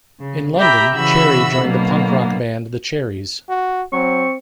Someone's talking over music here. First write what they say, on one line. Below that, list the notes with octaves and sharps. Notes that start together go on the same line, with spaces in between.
In London, Cherry joined the punk rock band The Cherries.
C#3
G4 E5 G5 A#5 B5
C#3 E3 F#4 E5 B5 E6
B2 D3 F#3 A#3
F#4
F#3 C4 C#6